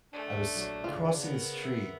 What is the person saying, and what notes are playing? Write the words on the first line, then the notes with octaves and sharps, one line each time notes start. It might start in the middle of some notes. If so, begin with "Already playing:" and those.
I was crossing the street
A3 D4
A#1 F#3
C#3 F4
B3 A#4
E5